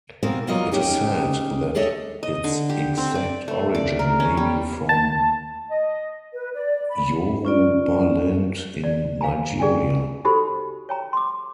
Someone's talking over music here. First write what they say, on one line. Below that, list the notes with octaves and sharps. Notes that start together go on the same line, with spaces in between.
It is said that its exact origin may be from Yorubaland in Nigeria.
B2 G#3 A#3 C4 A#4
E2 F#3 A#3 F4 A#4 D#5
C#4 D#4 G4 G#4
D4 G#4 A4 C#5 D#5 E5
D#5
D3
G4
C4
D5
A3
D5
A#4
C#4
G3
A5
D#5
B4
D5
B5
C#4 F4 D5
D5
F5 G#5 A#5
G#4 D5 G5 G#5
D#4 F#4 G4 A4 C5 B5
C#5 G5 A#5
C6 D6